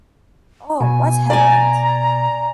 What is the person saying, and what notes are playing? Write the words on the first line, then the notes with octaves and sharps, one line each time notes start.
Oh, what's happened?
B2 G#5
D5 G#5 A#5